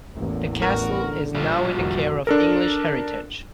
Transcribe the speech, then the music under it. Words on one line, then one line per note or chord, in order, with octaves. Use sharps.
The castle is now in the care of English Heritage.
A1 E2 A#3
F#4 A#4
D3
A#1 G3 F4
F1 D#3 F#4
D4 A4 A#4